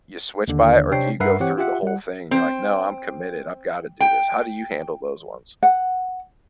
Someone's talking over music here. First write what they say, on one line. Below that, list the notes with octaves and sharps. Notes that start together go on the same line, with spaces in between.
you switch by it or do you go through the whole thing and you're like, "No, I'm committed, I've gotta do this," how do you handle those ones?
D#2 D3
C3 C4 D4 C#5 G5 C7
G2 A#4 B4 E5 F#5 C7
E3 C4 G4 C#5 F#5
F4 G4 E5 F#5
G3 F#5
C4
G5
F#5